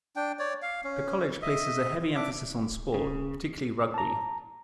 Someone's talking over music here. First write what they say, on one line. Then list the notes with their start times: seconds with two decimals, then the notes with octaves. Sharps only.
The college places a heavy emphasis on sport, particularly rugby.
0.16 D4 G5
0.39 C#5 D5
0.62 F5
0.84 C#4
1.42 D#5 E5
2.15 D4 E5 D6
2.94 C#3
3.94 A5 A#5